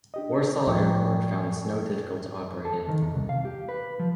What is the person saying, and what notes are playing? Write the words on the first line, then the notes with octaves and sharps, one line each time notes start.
Warsaw Airport found the snow difficult to operate in.
D4 G4 D#5
A2 F3 B3 D5 G5 C#6
A4
D#3
E2
C2
F5
G4
B4
F3